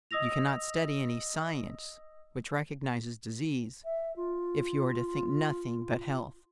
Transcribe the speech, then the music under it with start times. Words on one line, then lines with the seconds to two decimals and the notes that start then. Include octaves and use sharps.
You cannot study any "science" which recognizes disease, if you are to think nothing but health.
0.11 D#5 D#6 E6 A#6 F7
3.85 E5
4.16 F4